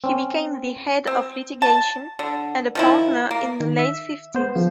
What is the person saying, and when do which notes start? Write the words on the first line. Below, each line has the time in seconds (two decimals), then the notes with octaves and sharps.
He became the head of litigation and a partner in the late fifties.
0.04 C4 C#4
1.07 C4
1.62 A5
2.19 D3
2.75 D#3 F3 E4
3.31 A#3
3.60 D#3
3.79 E5
4.35 B3 C5
4.55 C#3 F3